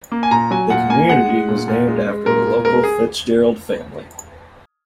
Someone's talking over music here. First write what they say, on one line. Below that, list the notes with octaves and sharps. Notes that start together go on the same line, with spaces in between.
The community was named after the local Fitzgerald family.
A#3
G#5
A#2 A#5
F#3 G#5
A#2 F#5
A#3 G#5
G#3 F#5
G#3
A#2
A#2
G#3
G#3
A#2 A#4
A#2
G#3 A#4
G#4